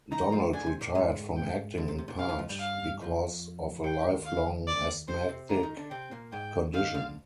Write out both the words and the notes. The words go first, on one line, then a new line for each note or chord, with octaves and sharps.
Donald retired from acting in part because of a lifelong asthmatic condition.
D#3 D#4 A#5
F3 F4
D3 D4 G#5
C3 C4
A#2 A#3
G#2 G#3
G5
D2 D3
C3
C3
A#2
C3 F5
D#2 D#3
F2 F3
G2 G3
F5
F2 F3
D#2 D#3 G5
F5
D5
C3 C4 C5
C3 C4
D3 D4 A#5
D#3 D#4
D3 D4
C3 C4 G5
A#2 A#3
G#2 G#3 G5
D#2 D#3 F5
D2 D3